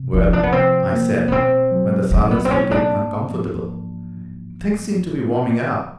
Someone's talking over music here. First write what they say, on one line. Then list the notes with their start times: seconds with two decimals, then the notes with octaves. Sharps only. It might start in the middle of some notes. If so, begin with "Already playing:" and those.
"Well," I said, when the silence became uncomfortable, "things seem to be warming up."
Already playing: C3
0.13 F3 D#4
0.25 C#4
0.33 D4
0.43 B3
0.52 C3 C4
0.92 A#3
1.28 B3
1.32 B2 C4
1.71 F#3
2.11 B2 C4
2.31 B3
2.45 C4
2.51 A#3 C#4
2.71 D4
2.91 G#2
3.31 F3